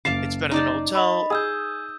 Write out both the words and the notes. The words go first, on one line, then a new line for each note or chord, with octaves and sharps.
it's better than a hotel."
F#1 F5 A5 D6 C7
D#4 D5 A5
D#5 B5
G#4 D#6 E6 G6